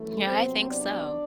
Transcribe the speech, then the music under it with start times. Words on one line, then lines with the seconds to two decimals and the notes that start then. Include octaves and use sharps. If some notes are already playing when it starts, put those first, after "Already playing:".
Yeah, I think so.
Already playing: F#2 E3 A3 A4
0.26 C3 F#3 B3 C4 C5
0.71 D4 D5